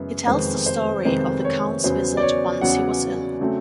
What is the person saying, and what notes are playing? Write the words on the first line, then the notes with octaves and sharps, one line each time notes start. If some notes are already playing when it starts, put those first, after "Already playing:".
He tells the story of the Count's visit once he was ill.
Already playing: F#2 C#3 E3 G#3 B3
F2 C3 D#3 G#3 B3 C5
C5
F2 C3 D#3 G#3 B3 C5
C#5
E2 C#3 F#3 B3 C5
D5
C#5
E2 C#3 F#3 B3 F#5
C#3 F#3 A3 C4